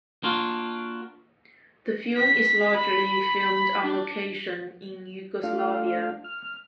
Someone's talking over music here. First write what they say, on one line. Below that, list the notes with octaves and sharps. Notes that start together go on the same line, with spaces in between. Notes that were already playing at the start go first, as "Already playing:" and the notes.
The film is largely filmed on location in Yugoslavia.
A#3 D4 F4 F#4
B6
B5
D4
A3 D4 F4 F5
F6